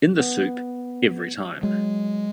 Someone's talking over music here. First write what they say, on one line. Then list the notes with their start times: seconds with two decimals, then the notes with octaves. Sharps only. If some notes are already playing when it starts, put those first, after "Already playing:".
In the soup, every time.
0.20 B3
1.63 F#3 G#3